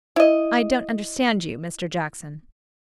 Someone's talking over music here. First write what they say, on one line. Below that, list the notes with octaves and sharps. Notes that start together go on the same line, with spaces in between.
'I don't understand you, Mr Jackson.'
E4 D#5